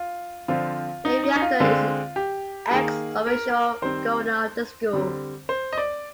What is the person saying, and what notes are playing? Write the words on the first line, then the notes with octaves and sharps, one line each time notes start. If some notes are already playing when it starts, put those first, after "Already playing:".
The Rector is an ex officio Governor of the school.
Already playing: F4
D3 F3 C4 F4
D#4
D#4
D#4
F4
D3 G#3 C4 F4
G4
D#3 A#3 G#4
A#4
D#3 G3 C4 C5
D3 G3 C4
C5
D#5
D5